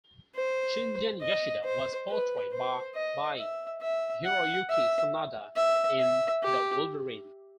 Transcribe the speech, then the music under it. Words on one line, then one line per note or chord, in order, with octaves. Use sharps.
Shingen Yashida was portrayed by Hiroyuki Sanada in "The Wolverine".
C5
D#5
C5
B4
C5
D#5
E5
E5
F#5
E5
E5
E5
G4